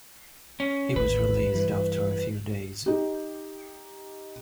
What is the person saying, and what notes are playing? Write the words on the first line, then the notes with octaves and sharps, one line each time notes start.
He was released after a few days.
C#4
A1 D#2 B4
G2 E3
D#4 G4